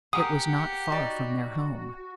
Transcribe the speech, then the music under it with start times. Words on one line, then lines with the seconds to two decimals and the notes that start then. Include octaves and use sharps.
It was not far from their home.
0.13 G4 G#4 A#4 F#5 D#6
0.90 D#4 F#4 D5 B5